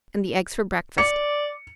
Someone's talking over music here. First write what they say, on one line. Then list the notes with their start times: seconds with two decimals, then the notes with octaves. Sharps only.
"And the eggs for breakfast?"
0.98 D5 C#7